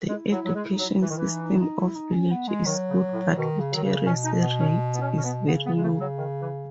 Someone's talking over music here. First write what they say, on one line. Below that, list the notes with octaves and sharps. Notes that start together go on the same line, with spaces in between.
The education system of Village is good but literacy rate is very low.
G#3 E4
F#3 E4
F#3
G#3
E4
F#3 D#4
E4
E3
D#3
E3
D#4
D#4
D#4
E4
D#4
C#4
B3
G#3
D#3 F#3
C#3
A2
B2 D#3
C#3
D#3 F#3
C#3
B2 C#4
D#4
B3
C#4
B3
C#4
C#4
B3
C#3 B3
B3
G#3
A3
F#3
D#3
E3